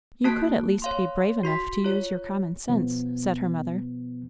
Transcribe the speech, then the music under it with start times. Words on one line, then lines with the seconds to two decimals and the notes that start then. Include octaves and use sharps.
"You could at least be brave enough to use your common sense," said her mother.
0.24 A#3 F#4 A5 F#6 D7
0.82 C#5 F5 C6
1.43 F#4 C6 B6
1.84 F4 C#5
2.69 B2 F3 B3